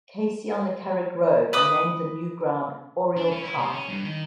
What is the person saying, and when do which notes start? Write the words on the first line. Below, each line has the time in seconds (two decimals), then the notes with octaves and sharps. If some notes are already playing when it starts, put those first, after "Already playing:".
Casey on the Carrick Road and named the new ground "Oriel Park".
1.53 B4 D6 D#6
3.17 D4
3.31 C#4
3.43 E4
3.57 C3
3.73 C#4
3.88 G2
4.04 D#3